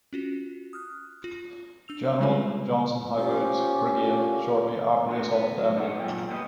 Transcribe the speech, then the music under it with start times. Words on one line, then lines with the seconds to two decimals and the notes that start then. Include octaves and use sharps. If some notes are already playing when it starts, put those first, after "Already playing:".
General Johnson Hagood's brigade shortly after the assault had ended.
0.13 C#4 F4 F#4
0.73 D#6 F6 F#6
1.24 F4
1.88 D4 E6 F7
2.20 G3 G#3 C4 F4 G4 B4
3.18 F3 C#4 G4
4.00 D3 F4 A#4
5.09 A2 D4 F#4
5.32 B3
5.58 F#3
5.76 D4 D#4 A#4 B4 E5 F#5
5.99 A#2 F#3 F4 D5 G5
6.29 G3 A#3 B3 B4 D#5